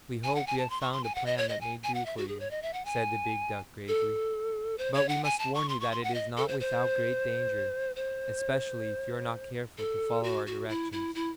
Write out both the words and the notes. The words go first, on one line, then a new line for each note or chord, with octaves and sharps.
'We hope we have found a plan that may do for you,' said the big duck gravely, 'but we must warn you that it is not without great danger, especially if you are not careful to follow our directions.'
G#5
F#5
G#5
A5
C6
C#6
C6
G#5
F#5
D#5
C#5
D#5
G#5
G#5
F#5
E5
F#4
G#4
C#5
D#5
E5
F#5
G#5
A4
C5
C#5
F#5
G#5
A5
C#6
C6
C#6
C6
F#5
D#5
A4
C5
C5
C5
A4
F#4
F#4
E4
E4
E4